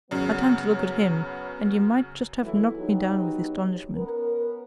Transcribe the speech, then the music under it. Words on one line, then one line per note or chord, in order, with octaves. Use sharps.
I turned to look at him, and you might just have knocked me down with astonishment.
F#2 C#3 F#3 B3
E3 F#3 B3 E4 A4
F#3 B3 D#4 G4
B3 C#4 A#4